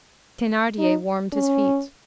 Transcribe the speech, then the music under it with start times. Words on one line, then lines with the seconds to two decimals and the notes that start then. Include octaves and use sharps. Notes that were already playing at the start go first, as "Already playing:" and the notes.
Thenardier warmed his feet.
0.79 D#4
1.33 C#4